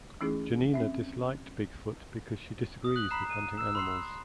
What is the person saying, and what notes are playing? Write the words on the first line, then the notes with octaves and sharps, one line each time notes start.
Janina disliked Big Foot because she disagrees with hunting animals.
E3 A3 C#4 D#4 E4 G#4
C4 C#4 E5
D#6
F#6 F#7
A#5 B5 C7 E7
D#7
E6 E7
B5 C6 C7